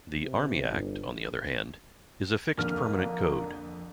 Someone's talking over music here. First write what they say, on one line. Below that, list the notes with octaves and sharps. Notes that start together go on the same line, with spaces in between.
The Army Act, on the other hand, is a fixed permanent code.
C3
G1
F2 D3 A#3 F6